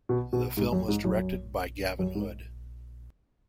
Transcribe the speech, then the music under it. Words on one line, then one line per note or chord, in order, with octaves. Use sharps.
The film was directed by Gavin Hood.
B2
B2
G#2
F#2
G#2
F#2
F#2
G#2